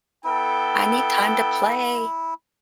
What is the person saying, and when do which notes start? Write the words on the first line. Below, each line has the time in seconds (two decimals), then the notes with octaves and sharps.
I need time to play."
0.24 B3 E4 A4 G5